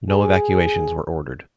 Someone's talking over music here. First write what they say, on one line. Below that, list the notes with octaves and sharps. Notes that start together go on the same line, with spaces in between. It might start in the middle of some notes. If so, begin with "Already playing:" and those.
No evacuations were ordered.
G#4